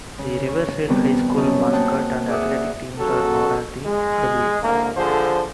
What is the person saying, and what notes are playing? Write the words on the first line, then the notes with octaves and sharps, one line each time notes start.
The Riverside High School mascot and athletic teams are known as "the Rebels".
C#3
C#6
B2 D#3 G3 B3 C4
F#2 C#3 C#4 D#5 A5
A#3 C5 D#5 F#5 G5 A5
G#4 D5 E5 F#5 D#6
D#2 C#3 F#3 F#4 A4
G#3
C2 D3 A#3
D3 F3 G#4 A4 C5